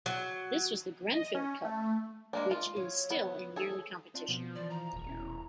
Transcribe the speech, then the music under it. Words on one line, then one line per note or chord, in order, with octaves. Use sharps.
This was the Grenfell Cup which is still in yearly competition.
F#3
D#5
C#4
A3
G#3 A#3 D4
F4
F#3 C#5
B3
G#4 A4
C4 D4 F4
B2 F3 B3
D#3 E3 D5
A#5
D#1 G#1
B2 C#4 E4